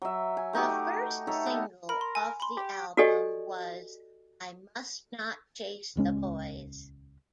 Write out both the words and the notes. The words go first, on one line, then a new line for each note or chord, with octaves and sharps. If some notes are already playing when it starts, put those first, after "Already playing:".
The first single off the album was "I Must Not Chase the Boys".
F#3 E5
G#5
A3 D#4 F#4 G4
D#4 A4 C#5 E5
B3
A#4 B5
C6
G#5
B5 C6
G4
F#4 G4 A4 D5 D#5 G#5
D#1 C#2 G#3 C#4